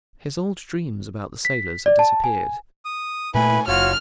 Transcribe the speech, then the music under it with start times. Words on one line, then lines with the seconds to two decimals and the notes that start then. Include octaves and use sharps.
His old dreams about the sailors had disappeared.
1.45 B6
1.86 D5
1.99 A5
2.24 G#5
2.85 D#6
3.35 A#2 A3 E4 B4 G#5 B5
3.68 F#1 F4 F#4 C#5 F6